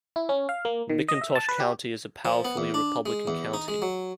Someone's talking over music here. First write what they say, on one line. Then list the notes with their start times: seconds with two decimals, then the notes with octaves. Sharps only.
McIntosh County is a powerfully Republican county.
0.16 E4
0.29 C#4
0.49 F5
0.65 A#3
0.90 D#3
1.08 D#5
1.21 E5
1.35 A5
1.49 B4
1.60 G4
2.25 F3
2.45 B3
2.57 E2
2.74 D4
3.06 G#3
3.27 E2
3.54 D#4
3.68 G#3
3.82 F#3